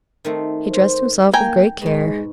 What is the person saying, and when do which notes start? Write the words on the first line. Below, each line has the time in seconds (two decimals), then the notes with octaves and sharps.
He dressed himself with great care.
0.25 D#3 A3 C4
0.72 C5
1.33 A#3 G5 G#5 A#5
1.82 G#2 B2 G#3